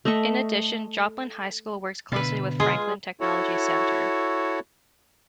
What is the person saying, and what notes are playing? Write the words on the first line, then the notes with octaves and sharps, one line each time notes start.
In addition, Joplin High School works closely with Franklin Technology Center.
A3 D#5 E5 C#6
B2 D3 B4 E5 F5
G#3 F4 G#4
E4 F#4 A4 C#5